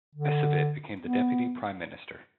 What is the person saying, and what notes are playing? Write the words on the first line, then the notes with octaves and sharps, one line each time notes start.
Ecevit became the deputy prime minister.
D3
B3